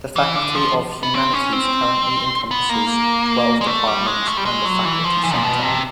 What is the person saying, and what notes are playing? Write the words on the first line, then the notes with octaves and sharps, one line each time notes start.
The Faculty of Humanities currently encompasses twelve departments and a faculty centre.
E3
D3
F3
B3
C4
C#4
C4
B3
A#3
G#3
A3
G3
G#3
A3
G3
G#3
F#3
E3
F3
E3
A#2
B2
C3